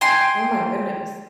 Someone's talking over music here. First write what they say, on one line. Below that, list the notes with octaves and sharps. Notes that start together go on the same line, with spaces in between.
Oh my goodness.
G5 G#5 C6